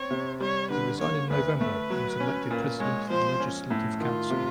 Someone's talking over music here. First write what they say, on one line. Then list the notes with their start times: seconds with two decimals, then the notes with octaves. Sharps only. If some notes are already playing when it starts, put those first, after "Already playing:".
He resigned in November and was elected president of the Legislative Council.
Already playing: C4 C#5
0.11 C3
0.40 G3 C#5
0.70 D3 B4
1.00 A#3 C#5
1.30 D2 B4
1.60 A3 B4
1.90 F#3
2.20 C#4
2.51 A#2
2.80 G#3 C#5
3.10 F3 C5
3.40 C#4
3.70 A2
4.00 D#3 F4
4.30 C3